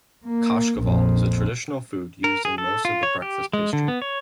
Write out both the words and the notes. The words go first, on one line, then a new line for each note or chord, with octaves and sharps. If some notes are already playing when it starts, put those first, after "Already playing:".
Kashkaval is a traditional food used in most of the breakfast pastry.
A#3
A#1 F2
A#4
G#4
A4
F4
C#5
G4
G#3
D3
B3
C#5